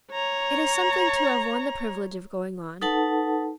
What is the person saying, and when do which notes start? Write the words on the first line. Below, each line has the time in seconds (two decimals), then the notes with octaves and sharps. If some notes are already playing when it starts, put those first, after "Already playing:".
It is something to have won the privilege of going on.
0.12 C#5 A#5
2.81 D#4 A4 B4 F#5 A5